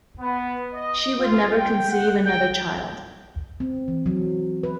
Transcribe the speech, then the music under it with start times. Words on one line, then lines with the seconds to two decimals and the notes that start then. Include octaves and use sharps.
She would never conceive another child.
0.19 B3
0.74 D#5
1.20 F4
1.58 G5
1.91 F#5
2.22 G5
3.60 C4
3.88 E3
4.06 F#3
4.63 B4